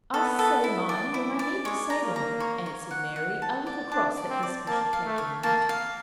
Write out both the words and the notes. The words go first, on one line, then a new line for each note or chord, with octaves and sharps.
"I say mine when I need to say them," answered Mary, a little cross that Hesper should take any notice.
B3 A4
A4
E4
D5
E4
D5
G#3 C#5
A#5
A#3
A#5
C#5
C#5
F#5
F#5
A5
D5
D4 A5
D5
C4
D5
A#3 A5
F5
A3
C#5
A#3 A5
F5